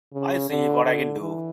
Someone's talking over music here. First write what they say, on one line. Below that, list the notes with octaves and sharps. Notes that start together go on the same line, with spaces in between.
I'll see what I can do.
C#3
D3
D3
E3